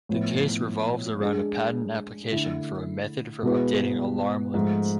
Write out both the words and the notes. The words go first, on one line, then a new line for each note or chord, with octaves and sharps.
The case revolves around a patent application for a "Method for Updating Alarm Limits".
A2 F3 B3 E4
G#3 D4 G#4
D3 A3 E4
B2 G#3 B3 E4 B4
G#2 F3 A3